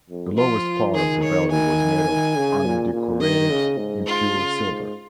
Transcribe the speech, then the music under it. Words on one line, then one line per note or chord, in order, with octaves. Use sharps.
The lowest part of the belly was made of undecorated impure silver.
F2
F3 F4
D#3 G#4
C#5
D#3 G#5
D#3
C#3
A#2
A#2
D#3 D#5
C#3
G#2
F4
C#3
G#2